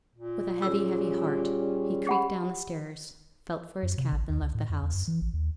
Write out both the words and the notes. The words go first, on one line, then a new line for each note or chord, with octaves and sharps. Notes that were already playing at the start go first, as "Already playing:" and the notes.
With a heavy, heavy heart he creaked down the stairs, felt for his cap, and left the house.
A#2
G3 C#4 G#4 E6
G4 F#5 B5
F#2
C3
A1
D#2
C#2
A2
F2
E2
F#2
E3
A1
D#2